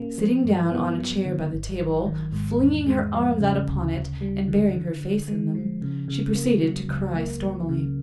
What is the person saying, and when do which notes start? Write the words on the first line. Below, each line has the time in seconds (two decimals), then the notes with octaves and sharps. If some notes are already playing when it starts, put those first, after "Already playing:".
Sitting down on a chair by the table, flinging her arms out upon it, and burying her face in them, she proceeded to cry stormily.
Already playing: A#2 A#3 C#4
0.18 F3
0.45 G2
0.71 B3
0.99 F#3
1.25 D3
1.53 G#1
1.79 F#3
2.06 D#3
2.32 G#2
2.59 E2
2.87 G#3
3.14 F3
3.40 C#3
3.67 D2
3.94 D2
4.21 G3
4.48 D3
4.74 D3
5.01 D3
5.28 G#3
5.55 F3
5.82 C#3
6.08 C#3
6.35 A#3
6.62 F#3
6.89 C#2
7.16 A#3
7.43 F#3
7.69 C#3